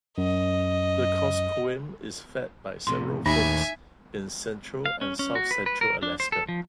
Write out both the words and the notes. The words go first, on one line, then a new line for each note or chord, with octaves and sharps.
The Kuskokwim is fed by several forks in central and south-central Alaska.
F#2 D#5
F2 A2 C3 C6
D#2 A2 D#3 D#4 E5 G#5 B5
F5
C#4
C#4
F#4
B4
B4
A#4
D4
C5
A4
F3